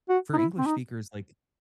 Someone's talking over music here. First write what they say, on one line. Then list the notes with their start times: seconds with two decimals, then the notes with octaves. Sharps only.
for English speakers, like,
0.10 F#4
0.33 D#4
0.37 E4
0.58 C4
0.66 D#4